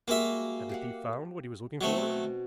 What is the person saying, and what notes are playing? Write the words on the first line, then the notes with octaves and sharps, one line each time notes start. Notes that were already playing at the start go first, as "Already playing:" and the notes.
Had the thief found what he was looking for?
G3 G#3 A#3 F#4 E5
G4 F5 F#5
B2 F#3 A3 C4